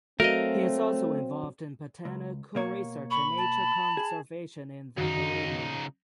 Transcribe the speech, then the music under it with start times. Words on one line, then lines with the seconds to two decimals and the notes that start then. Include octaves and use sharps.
He is also involved in botanical research and nature conservation in the Caribbean.
0.20 F#3 A3 C4 A#4 D#5 F5
2.05 C#2
2.55 B2 A#3 C#5
3.11 B5 C#6
3.38 A5
3.97 G#4
4.97 C#2 F#2 D#3 D#4 F#4